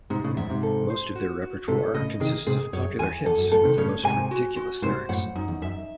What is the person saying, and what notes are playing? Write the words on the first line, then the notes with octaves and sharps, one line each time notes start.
Most of their repertoire consists of popular hits with the most ridiculous lyrics.
G#2 C3 D#4
A2 C#3
E2 G#2 E5
G#2 C3
A4
C5
F#4
F#4
G#2 C3 A4
A2 C#3 D#5
C3 D#3 G#4
G#2 C3 G#4
F#2 C#5
E2 G#5
E2 A4
F#2
F#2 A2 A4
C3 D#3
A2 C#3 C#5
G#2 C3 G#5
F#4
F#4
G#2 C3 C5
F#2 A2 F#5
F#2 D#4
E2
F#2 E5